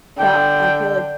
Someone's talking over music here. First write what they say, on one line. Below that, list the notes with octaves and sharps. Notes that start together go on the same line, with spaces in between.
that I feel like
D3 G5